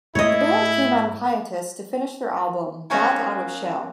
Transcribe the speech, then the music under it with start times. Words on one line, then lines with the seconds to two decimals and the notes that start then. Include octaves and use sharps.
The band came out of hiatus to finish their album "Bat Out of Shell".
0.15 G#2 G#3 A3 E4 C#5 D#5
2.90 F#3 A#3 B3 C#4 D#4 F#4